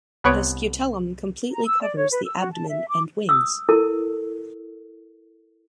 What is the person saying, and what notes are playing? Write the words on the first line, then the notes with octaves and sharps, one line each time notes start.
The scutellum completely covers the abdomen and wings.
C2 B3 B4 C#5 D7
A#5
E6
D5
C#5
B4
E6
F#4
A5
E5
D6
D#6 E6
E4 A4 A#4 A5